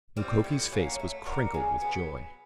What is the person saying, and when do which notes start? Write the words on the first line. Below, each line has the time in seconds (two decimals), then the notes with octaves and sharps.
Mukoki's face was crinkled with joy.
0.17 G3 C4 F4
0.44 A2
0.72 F#3 A#3 C#4
0.99 A3
1.26 D4 F#4 A#4
1.54 C#3 G#5
1.81 F#3 B3